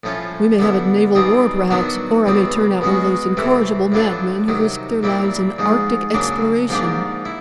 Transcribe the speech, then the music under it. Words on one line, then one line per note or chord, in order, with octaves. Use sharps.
We may have a naval war, perhaps, or I may turn out one of those incorrigible madmen who risk their lives in Arctic exploration.
A2 F3 A3 C#4 F4
D3 G3 B3 E4
B2 G3 C4 D#4 G#4
D#3 F#3 B3 D4 F#4
C#2 B2 G3 C4
B2 G#3 C#4 F#4
C3 E3 A3 C4
A2 F#3 A3 D4 F4
C3 D#3 F#3
A#2 G3 C4 E4
G#2 F3 G#3
C#3 F#3 A#3 D4
G#2 F3 A#3 D4 G4
E4